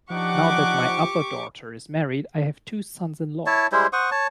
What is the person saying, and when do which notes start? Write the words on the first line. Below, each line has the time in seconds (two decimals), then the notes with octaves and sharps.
Now that my other daughter is married I have two sons-in-law.
0.10 F3 D4 D#4 G4 F#5 C#6 D6
3.46 E4 C#5 A5
3.72 G3 G#3 E4 C5
3.93 C5 F#5 C#6 D#6
4.11 C#5 A5